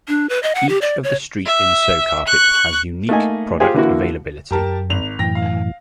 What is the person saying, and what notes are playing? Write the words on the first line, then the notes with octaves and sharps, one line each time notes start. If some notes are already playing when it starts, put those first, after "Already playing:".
Each of the street in Sowcarpet has unique product availability.
D4
B4
D#5
F#5
G4
D5
C#5
E5
C#6 F#6
A3 A#3 D#4 D#5 G#5
F4 G4 G#4 C5 G#5
D3 E3 A#3 E4 F#4
F#2 G4 A#4 A5
G#1 F7
F#2 A2 E3 G5 A#6
F5